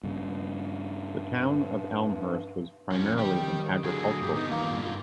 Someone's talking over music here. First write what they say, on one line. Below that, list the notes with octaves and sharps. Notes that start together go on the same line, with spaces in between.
The town of Elmhurst was primarily an agricultural community.
G2 C#3
F2 F3 C#4
D#3 G3 G4
D3 F#3 G#4
G2 A#2 F#3 G4
D3 B3 D#4
G2 A#3 F4 A#5